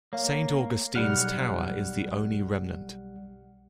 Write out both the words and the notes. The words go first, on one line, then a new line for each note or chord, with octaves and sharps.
Saint Augustine's Tower is the only remnant.
A#3 C#5 F5
B1 G3 F#5 F6